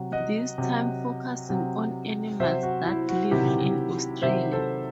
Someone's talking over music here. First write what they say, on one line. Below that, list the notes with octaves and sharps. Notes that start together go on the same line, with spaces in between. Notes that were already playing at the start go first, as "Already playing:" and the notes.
This time focusing on animals that live in Australia.
Already playing: C3 F#3
D#5 F#5
C3 F#3
C3 F#3
C3 F#3 C5 E5
F#4
E4
F#4
C3 D#3 F#3 E4 G4
C3 D#3 F#3 C5 E5
A4 C5